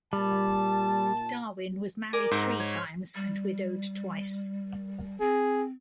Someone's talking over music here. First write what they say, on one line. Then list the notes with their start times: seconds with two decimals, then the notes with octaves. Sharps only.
Darwin was married three times and widowed twice.
0.13 A#2 G3 A5
2.13 A#4 D5 G#5
2.31 G#2 C4 A#4 A#5
2.60 C#5
3.15 G3
5.20 C4 G#4